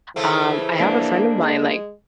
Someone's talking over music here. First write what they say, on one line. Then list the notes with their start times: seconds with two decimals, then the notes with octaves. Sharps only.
Um, I have a friend of mine, like,
0.16 C#3 E3 A3 C4
0.80 A#3 D4
1.33 G#3